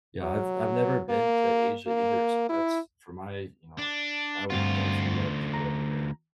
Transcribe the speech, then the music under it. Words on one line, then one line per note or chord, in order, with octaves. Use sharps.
yeah, I've I've never been to Asia either, so that's for my you know, I would definitely love to get over there.
F#3
A#3
A#3
E4
D4
D2 G2 C4 F4 F#4
A#5